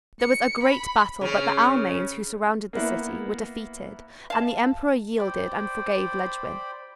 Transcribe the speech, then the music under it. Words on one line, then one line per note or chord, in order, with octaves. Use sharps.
There was a great battle but the Almains who surrounded the city were defeated and the Emperor yielded and forgave Ledgwin.
C#7
B5
C#3 C#4
A#3 B3 E4
F5 A5
C5 D5 G5 B5